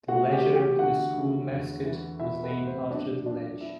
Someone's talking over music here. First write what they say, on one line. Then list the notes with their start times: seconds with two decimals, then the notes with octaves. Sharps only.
The Ledger, the school mascot, was named after The Ledge.
0.08 A3 F#4 F#5
0.32 G4 G5
0.44 E3
0.55 G4 G5
0.79 D2 F#4 F#5
1.14 D2
1.49 E2
1.85 E3
2.20 E3 E4 E5
2.43 B3 B4
2.55 A2
2.67 C4 C5
2.90 F#3 D4 D5
3.25 F#3 D4 D5
3.61 B3 E4 E5